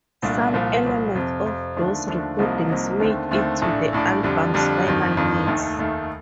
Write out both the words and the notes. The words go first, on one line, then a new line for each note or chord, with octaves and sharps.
Some elements of those recordings made it to the album's final mix.
C2 A#2 A3 D4
C2 A#2 F3
C2 A#2 F3
F2 C3 F3
F2 C3 F3
D#2 D3 F3 A3 D4
D#2 D3 F3 A3 D4
C2 C3 F3 A#3 D#4
C2 C3 F3 A#3 D#4
D#2 D3 A3 C4
D#2 D3 A3 C4
A#1 A2 A3 D4
A#1 A2 A3 D4
F2 D3 G3 D4
F2 D3 G3 D4
G1 F2 D#3
G1 F2 D#3
F1 D#2 D#3 A3
F1 D#2 D#3 A3